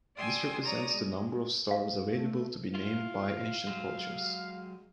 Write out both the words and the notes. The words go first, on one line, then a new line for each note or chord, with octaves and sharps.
This represents the number of stars available to be named by ancient cultures.
D5 G5 G#5 C6 D#6 E6
C#5 D5 A#5 D#6
G#3
F5
A3
E4 F4 F5
F#3 G#3